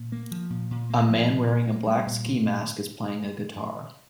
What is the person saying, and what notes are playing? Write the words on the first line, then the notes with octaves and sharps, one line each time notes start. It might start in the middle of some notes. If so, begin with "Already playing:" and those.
A man wearing a black ski mask is playing a guitar.
Already playing: A#2
A#3
F3
A#2
A#2
A#3
F3
A#2
A#2
A#3
G3
A#2
A#2